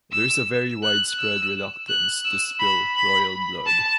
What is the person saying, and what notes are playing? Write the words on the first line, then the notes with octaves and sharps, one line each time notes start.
There is a very widespread reluctance to spill royal blood.
E6
F#6
E6
F#6
E6
B5
B5
A5